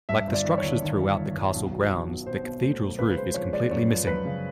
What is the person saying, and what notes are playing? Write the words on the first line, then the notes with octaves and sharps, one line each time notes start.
Like the structures throughout the castle grounds, the cathedral's roof is completely missing.
G2 E5
G1
D5
D#3
G1 C#5
D#3
G1
G1
G1
B1
F#3
B1
B2
B2 C5
B2
A3 C5
B1
C#3 B4
B4
G#3 C5
F3 C#5
G#3 D5
F#2 C#5
F3
F#2 B4
C#3